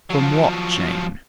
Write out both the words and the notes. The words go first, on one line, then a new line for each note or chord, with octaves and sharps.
"From what, Jane?"
F3 F#3